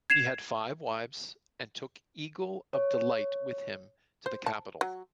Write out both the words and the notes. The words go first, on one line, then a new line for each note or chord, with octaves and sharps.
He had five wives, and took Eagle of Delight with him to the capital.
G#6 C7 E7 F7
C#5
C5
A5
F#3